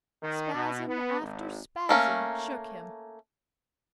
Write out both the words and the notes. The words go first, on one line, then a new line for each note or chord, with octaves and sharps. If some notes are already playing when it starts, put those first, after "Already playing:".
Spasm after spasm shook him.
D#3
B2
B3
G#1
A3 A#3 C#4